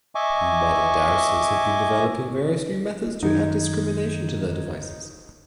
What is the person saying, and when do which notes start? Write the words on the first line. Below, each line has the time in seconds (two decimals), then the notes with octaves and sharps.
Modern dowsers have been developing various new methods to add discrimination to their devices.
0.15 D#5 E5 G#5 C#6 D6
3.23 F#2 D#3 D#4 G#6